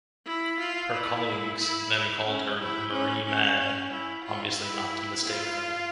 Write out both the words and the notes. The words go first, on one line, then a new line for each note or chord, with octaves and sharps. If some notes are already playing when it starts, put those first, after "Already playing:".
Her colleagues then called her Marie Mad obviously not to mistake them.
E4
F4
E4
E4
E4
C#4
E4
C#4
C#4
C#4
E4
F4
E4
F4